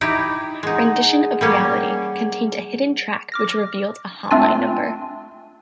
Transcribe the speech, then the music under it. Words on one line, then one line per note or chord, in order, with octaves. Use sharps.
"Rendition of Reality" contained a hidden track which revealed a hotline number.
D#4 E4 G4
G#3 D#4 G#4 F#5
G3 A#3 C#4
D6 F6 A#6
A3 C4 D4 F4 G#5